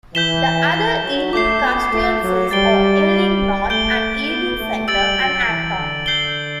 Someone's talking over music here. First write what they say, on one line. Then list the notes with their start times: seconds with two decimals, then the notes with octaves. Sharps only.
The other Ealing constituencies are Ealing North, and Ealing Central and Acton.
0.14 E3 G6 B6 E7 G7
0.73 E3
1.04 F#3
1.33 A3 D6 G6 C7
1.62 B3
1.92 A3
2.22 F#3
2.51 G3 A6 D7 G7
3.69 A3 G6 D7 G7
4.28 B3
4.58 A3
4.87 G3 E6 A6 D7 F#7
5.18 F#3
5.47 E3
5.77 D3
6.06 G6 C7 G7